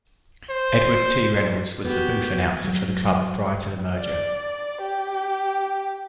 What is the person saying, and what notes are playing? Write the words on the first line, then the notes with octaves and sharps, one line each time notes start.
Edward T. Reynolds was the booth announcer for the club prior to the merger.
C5
B3 F#4 G4
F#3
D5
G4